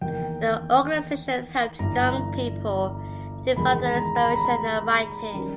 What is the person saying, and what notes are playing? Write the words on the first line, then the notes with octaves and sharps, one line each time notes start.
The organization helped young people develop their inspiration and writing.
E2 D#3 A#3 G5
G1 G2 E3 A#5
E1 E2 D#3 G#3 B5
A#5
B5
A#5
B5
B5
D#3 G3 C#4